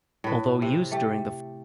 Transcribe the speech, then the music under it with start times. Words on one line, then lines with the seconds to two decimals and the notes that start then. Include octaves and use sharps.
Although used during the First World War, they were sold when the war ended.
0.24 A2 B4
0.62 C3
0.91 A3 G4